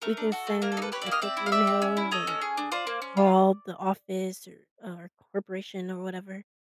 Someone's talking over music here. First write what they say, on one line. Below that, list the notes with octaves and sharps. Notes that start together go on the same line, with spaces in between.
We can send a quick email or or call the office, er, or corporation or whatever
A3 A#4
D4
F#4 A4
A3
A#3 A#4
A4
D#4
A4 B4
G4 B4 C#5
D5 E5
A#3
D#5 F5
C4 D5 E5
E4
F5
G4 D5 E5
C4
C#4
E4
A4 C#5 D#5
C#4
G#4
D4
F4 C5 D5
A#3
C#4
F4